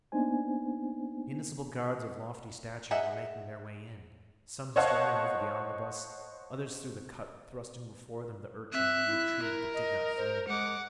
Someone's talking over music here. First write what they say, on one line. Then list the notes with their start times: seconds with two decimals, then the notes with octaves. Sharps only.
Municipal guards of lofty stature were making their way in, some striding over the omnibus, others through the cut, thrusting before them the urchin, who retreated, but did not flee.
0.12 A#3 B3 D4 D#4 C5 G#5
2.91 G#4 D#5 E5 F#5
4.76 C5 C#5 D#5 F5 F#5 A5
8.73 C4 E5 F#6
9.07 E4
9.43 A#4
9.74 D#5
10.17 C5
10.48 G#3 F#5 D6